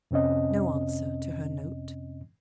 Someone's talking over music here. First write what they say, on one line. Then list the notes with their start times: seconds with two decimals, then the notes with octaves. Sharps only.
No answer to her note?
0.11 F2 C3 C4 C#4 D#5